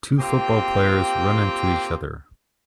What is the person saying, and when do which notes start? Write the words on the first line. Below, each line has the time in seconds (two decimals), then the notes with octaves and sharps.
Two football players run into each other.
0.19 A#3 C4 F4 G4 G5